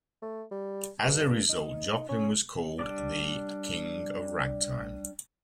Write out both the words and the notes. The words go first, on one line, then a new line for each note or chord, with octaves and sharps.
As a result Joplin was called the "King of Ragtime".
A3
G3
G2
D#4
C#4
G3 D4 D5